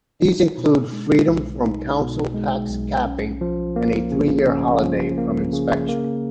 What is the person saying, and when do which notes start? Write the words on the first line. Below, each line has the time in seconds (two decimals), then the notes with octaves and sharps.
These include freedom from council tax capping and a three-year holiday from inspection.
0.23 D#4
0.58 B2
0.93 G#3
1.29 B1
1.64 D#4
1.99 B2
2.34 G#3
2.70 B1
3.05 C#4
3.41 F3
3.76 A#3
4.12 C#3
4.47 C#4
4.82 F3
5.17 A#3
5.53 C#3
5.88 A#3